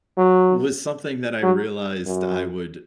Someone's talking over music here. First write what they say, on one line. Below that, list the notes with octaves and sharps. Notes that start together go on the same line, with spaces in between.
was something that I realized I would
F#3
F#3
F#2